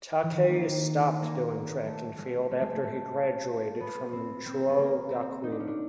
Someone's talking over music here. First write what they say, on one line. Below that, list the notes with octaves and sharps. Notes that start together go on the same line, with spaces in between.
Takei stopped doing track and field after he graduated from Chuo Gakuin.
E3
D#3
A#3
A#3
A3
G#3
A3
G#3
A3
A3
B3
C4
C4
B3
A#3
C4
D#4
D4
C#4
D4